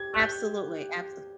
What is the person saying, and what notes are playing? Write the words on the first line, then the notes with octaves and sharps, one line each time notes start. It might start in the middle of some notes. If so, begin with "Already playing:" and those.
Absolutely, abso
Already playing: G4 G#6
F#6
G6